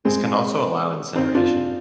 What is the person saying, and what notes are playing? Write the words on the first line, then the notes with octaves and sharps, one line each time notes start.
This can also allow incineration.
G#3 C4
C4 D#4
D4 F4